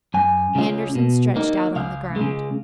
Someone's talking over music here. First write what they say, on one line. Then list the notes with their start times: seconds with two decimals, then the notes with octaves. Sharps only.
Andersen stretched out on the ground.
0.14 F#2 G#5
0.55 C#3 G#3 C#4 F4
0.95 B2
1.36 A#3 D#4
1.76 C#2 F5
2.16 C#3 G#3